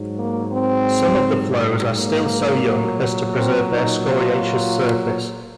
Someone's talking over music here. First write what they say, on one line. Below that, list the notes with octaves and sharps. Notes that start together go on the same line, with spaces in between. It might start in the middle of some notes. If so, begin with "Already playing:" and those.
Some of the flows are still so young as to preserve their scoriaceous surface.
Already playing: G#2 F#3
A#3
C4
A#3
A#2 F#3
C4
D#4
F4